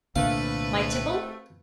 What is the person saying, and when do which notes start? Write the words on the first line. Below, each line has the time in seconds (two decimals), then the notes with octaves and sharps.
My tipple.
0.16 C2 A#2 D3 A3 C4 B4 F5